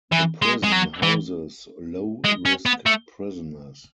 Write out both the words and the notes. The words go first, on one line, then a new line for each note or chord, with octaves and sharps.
The prison houses low risk prisoners.
E3
G#3
G#3
F#3
E3
G#3
C#4
B3
A3